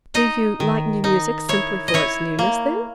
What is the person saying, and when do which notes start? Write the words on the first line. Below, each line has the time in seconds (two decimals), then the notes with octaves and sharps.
'Do you like new music simply for its newness, then?'
0.15 D#4 D#5
0.60 D#3
1.04 D#4
1.49 E4 C#5
1.88 D#5
1.94 E4 C#5
2.39 A#3